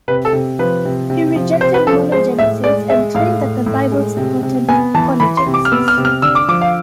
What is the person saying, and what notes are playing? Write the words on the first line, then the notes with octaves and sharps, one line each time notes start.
He rejected Monogenesis, and claimed that the Bible supported Polygenisis.
C3 B4
A4
C3
F3 B4
C3
C3
F3
C3 C5
B4
F3 A4
G#3 C5
A2 E5
G#3 D5
G#3 E5
A2 F5
A2
A2
G#3
C3
C3
B3 G#5
E3 A5
E3 B5
C6
C3
D6
F6
B3 E6
F6
C3
F6
D3 E6
D6
F3 D6
F5